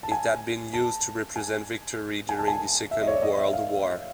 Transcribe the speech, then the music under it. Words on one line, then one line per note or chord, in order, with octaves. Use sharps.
It had been used to represent victory during the Second World War.
A5
G#5
A5
G#5
G#5
A5
G#5
E5
D#5
C#5
D5
D#5
E5
F5